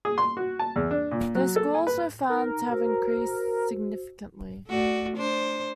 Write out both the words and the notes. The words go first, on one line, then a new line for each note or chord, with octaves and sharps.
Their scores were found to have increased significantly.
G#4
C6
F#4
A5
E2
D4
A#2
F#3
A4
G#5
B4
D#4 A#4
F#4 C5 E6
A3 F#4 D5
D4 C5